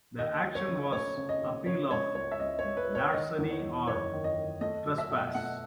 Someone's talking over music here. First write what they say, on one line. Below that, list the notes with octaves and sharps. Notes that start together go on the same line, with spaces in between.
The action was appeal of larceny or trespass.
D#2 D#5
F#3
C#5
C#3
A3 C#5
C#3
D#5
D#2
C#3 C#5
G#3 C#5
C#2 C#5
E5
C#2 D#5
C#5
G#3
B4
G#3
C#5
D#3 D#5
E2
C#5
E2
F#1 C#5
D#3
D#5
D#3
A3 D#5
F#3
E5
B2
A3 F#5